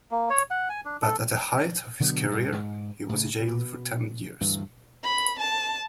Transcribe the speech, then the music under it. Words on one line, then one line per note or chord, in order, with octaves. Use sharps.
But at the height of his career, he was jailed for ten years.
A#3
C#5
F#5
G#5
D4
A4
B2 D3 F#3 B3
G2 C3
G#2
A2 C#3
B2
D2 G2 E3
B5
A5